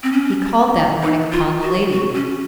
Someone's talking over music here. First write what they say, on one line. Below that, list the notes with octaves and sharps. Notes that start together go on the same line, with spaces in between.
He called that morning upon the lady.
C4
C#4
D#4
F4
F#4
F#4
C#4